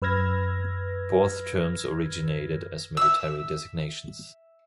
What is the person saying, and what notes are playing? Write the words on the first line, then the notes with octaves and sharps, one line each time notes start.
Both terms originated as military designations.
F#2 B4 E6 F6 G#6 A#6
E5 E6